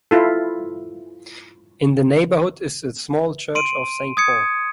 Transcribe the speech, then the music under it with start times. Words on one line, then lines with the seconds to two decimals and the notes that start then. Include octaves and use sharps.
In the neighbourhood is the small church of Saint Paul.
0.11 E4 F4 A4
3.55 C6 D7 D#7
4.17 D#6 G#6 C#7